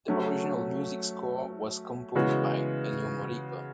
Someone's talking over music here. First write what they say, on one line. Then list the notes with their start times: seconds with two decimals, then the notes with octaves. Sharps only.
The original music score was composed by Ennio Morricone.
0.08 F#3 A3 C#4
2.15 C#3 E3 G#3 B3 F#4